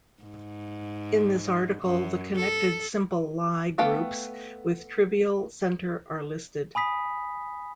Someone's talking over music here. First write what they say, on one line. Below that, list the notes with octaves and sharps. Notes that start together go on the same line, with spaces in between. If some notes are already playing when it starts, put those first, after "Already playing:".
In this article the connected simple Lie groups with trivial center are listed.
G#2
F#2
A4
A3 B3 A4 F5 G5
G#5 B5 D#6 B6